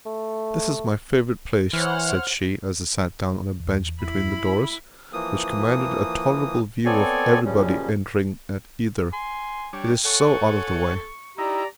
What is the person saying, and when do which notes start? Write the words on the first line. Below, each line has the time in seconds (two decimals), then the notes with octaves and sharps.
"This is my favourite place," said she as they sat down on a bench between the doors, which commanded a tolerable view of everybody entering at either; "it is so out of the way."
0.06 A3
1.73 E3 C5 C#5 F#5 F6
3.60 E2
4.01 E4 B5
5.13 E3 F3 A#3 D#6
6.85 B3 C4 A4 C#5 D5 G#5
7.45 F#2 A#2 C#3 F3 G3 C#4
9.13 G#5 C6
9.73 G3 D4 C#5 G5
10.05 A4 C#5 F#5 G#5 C#6
11.38 D#4 E4 G4 D5 A#5